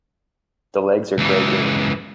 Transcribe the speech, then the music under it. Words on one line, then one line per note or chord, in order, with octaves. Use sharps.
The legs are grey-green.
C#2 E3